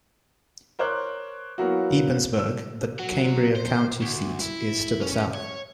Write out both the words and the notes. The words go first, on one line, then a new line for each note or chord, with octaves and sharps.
Ebensburg, the Cambria County seat, is to the south.
A#4 C5 C#5 D6 F#6
E3 F#3 A#3 B3 F#4
E6
F#3 F#4
C5
D2
E4
C#4
C#5